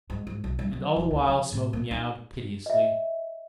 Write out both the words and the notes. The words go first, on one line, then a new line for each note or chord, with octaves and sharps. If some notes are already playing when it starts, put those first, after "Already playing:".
And all the while Smoke meowed piteously.
G#2
G#2
B1
G2
F#3
E1
D2
F3
A2
A#3
D#4
D#5 E5